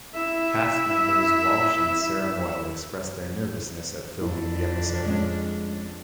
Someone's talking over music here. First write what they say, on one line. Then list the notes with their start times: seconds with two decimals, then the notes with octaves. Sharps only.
Cast members Walsh and Sarah Moyle expressed their nervousness at filming the episode.
0.14 E4 E5
4.21 F2 D4 E4
5.06 G#3 C#4